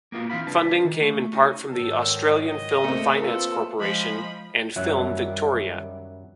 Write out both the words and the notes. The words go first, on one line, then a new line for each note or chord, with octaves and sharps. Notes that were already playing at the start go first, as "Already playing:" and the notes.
Funding came in part from the Australian Film Finance Corporation and Film Victoria.
A#3 B3 F4 F#4
E3 C4 D#4 F5 B5
C#2 D4 B4 A5
D#3
A3
C#4 D#4 F#4
G#2 D#3 F#3 A4
D#5
C3 A3 A#3 C4
F4 A4 B4
F3 G#3 B5
F#2 D#3 F#3 G3 E5 F#6